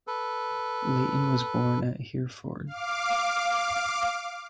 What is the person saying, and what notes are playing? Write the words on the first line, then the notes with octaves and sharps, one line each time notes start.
Leighton was born at Hereford.
A4 B4
F5 D6